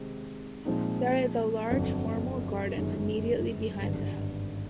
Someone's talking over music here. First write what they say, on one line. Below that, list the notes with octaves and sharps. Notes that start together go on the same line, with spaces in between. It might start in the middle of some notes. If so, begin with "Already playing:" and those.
There is a large formal garden immediately behind the house.
Already playing: C3 D#3 G#3 C4 D#4
A#2 F3 G#3 C4 D#4
G1 F2 D3 F#3
G1 F#2 D#3 G#3
G#1 G2 D3